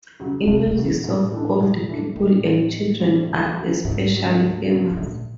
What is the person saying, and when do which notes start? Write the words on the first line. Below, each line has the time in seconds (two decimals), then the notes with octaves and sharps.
Images of old people and children are especially famous.
0.20 C#3 F#3
0.47 F2 C3
0.67 C3
0.75 C#3 F#3
0.85 A2
1.04 G#2
1.31 E3 A3 D4
1.60 G#2
1.88 E3 A3 D4
2.16 A2 D#3
2.44 G3 C4 F4
2.72 D#3
3.00 G3 C4 F4
3.29 D2
3.56 C#3 F#3
3.84 D2 G#2
4.13 C#3 F#3
4.41 D2
4.69 C#3 F#3 B3
4.91 B2
4.97 D2 A#2